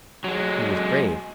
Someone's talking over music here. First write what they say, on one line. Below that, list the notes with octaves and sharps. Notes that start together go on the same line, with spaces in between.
He was brave.
F#3 G#3